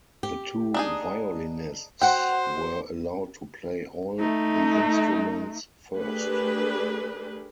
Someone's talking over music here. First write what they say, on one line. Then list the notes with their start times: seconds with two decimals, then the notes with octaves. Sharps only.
The two violinists were allowed to play all the instruments first.
0.23 G4
0.74 D4 D#4 G#4
2.01 F#4 C5 F#5 G5
4.20 A3 D#4
5.96 A3 D4 G4 G#4 A#4 B4